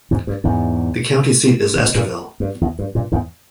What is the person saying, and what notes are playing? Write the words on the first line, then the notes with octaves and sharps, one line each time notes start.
The county seat is Estherville.
E2 G#2
G2
E2 G#2
C#3
B2
G2 A#2
G2
E2
G2
G2 A#2
E2 G#2